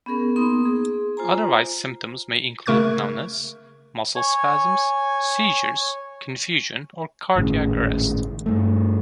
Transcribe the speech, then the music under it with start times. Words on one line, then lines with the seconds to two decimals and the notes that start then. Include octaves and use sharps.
Otherwise symptoms may include numbness, muscle spasms, seizures, confusion, or cardiac arrest.
0.06 B3 C#4 G#4 A#4
0.36 A#3 B3 D#4 C6 D#6
0.65 G#4
1.17 F4 C5 G#5 A#5
2.66 C#3 A3 A#4 C#6 F#6 G#6
4.16 C#5 G#5
7.35 D#1 G#1 A2 C#3
8.46 G2 A3